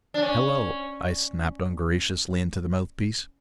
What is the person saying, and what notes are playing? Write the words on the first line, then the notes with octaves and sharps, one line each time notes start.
"Hello!" I snapped ungraciously into the mouthpiece.
D4
C#4